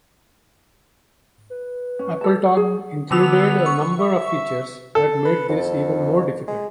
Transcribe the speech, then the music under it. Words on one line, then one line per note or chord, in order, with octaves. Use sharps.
AppleTalk included a number of features that made this even more difficult.
B4
C#4
A4 A5
F#3 G#4
D3 B3 E6 F7
C#6
E5
A4
B4
F2
G#3